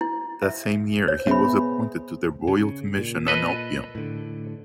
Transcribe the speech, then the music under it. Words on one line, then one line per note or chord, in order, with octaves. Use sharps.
That same year he was appointed to the Royal Commission on Opium.
E4
E5
C#5
B3 G#4 C5 E5 B5
C#3
A#2
A4 B4 D#5
A2 D3